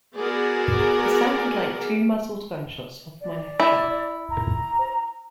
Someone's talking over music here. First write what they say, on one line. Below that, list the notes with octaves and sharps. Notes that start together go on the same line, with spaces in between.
It sounded like two muzzled gunshots off my left shoulder.
B3 F#4 G#4 A#4 D5
D5
E4
A#5